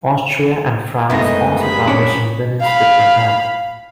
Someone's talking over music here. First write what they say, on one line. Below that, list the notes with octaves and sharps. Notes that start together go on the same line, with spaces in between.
Austria and France also partitioned Venice between them.
F#1 G#2 A3 B3 E4 D#5 A#6
G3 G#4 B5
A#2 C#4 D4
F5 B5